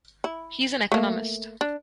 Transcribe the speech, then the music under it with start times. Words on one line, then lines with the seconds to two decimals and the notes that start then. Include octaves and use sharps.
He is an Economist.
0.24 E4
0.92 A3 A#3
1.61 D4